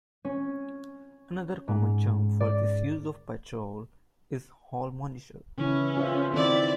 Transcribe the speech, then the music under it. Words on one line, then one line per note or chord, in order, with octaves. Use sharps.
Another common term for this use of patrol is "hall monitor".
C#4
G#2
D5
C#3 E3 C#4 E4
F4 C5 E5
D#3 C4 E4 D5